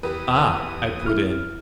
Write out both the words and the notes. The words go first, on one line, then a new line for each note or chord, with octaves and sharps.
"Ah!" I put in.
E2 G4 B4 D#6
E4 F6